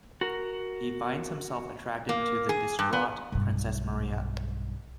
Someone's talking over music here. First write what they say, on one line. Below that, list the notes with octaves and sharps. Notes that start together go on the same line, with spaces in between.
He finds himself attracted to the distraught Princess Maria.
F#4 A#4
A#3
G#4
G2
B3
B1 G2